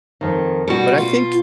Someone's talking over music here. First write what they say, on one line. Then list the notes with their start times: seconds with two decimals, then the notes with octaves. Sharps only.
But I think
0.21 F2 D#3
0.68 B2 G3 F#4
0.98 F4